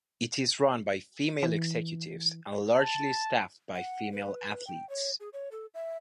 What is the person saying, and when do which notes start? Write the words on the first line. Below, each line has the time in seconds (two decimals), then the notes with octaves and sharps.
It is run by female executives and largely staffed by female athletes.
1.43 E3
2.76 A5
3.75 F#5
4.13 B4
4.67 G5
4.89 C#5
5.20 G#4
5.33 C#5
5.52 A4
5.74 E5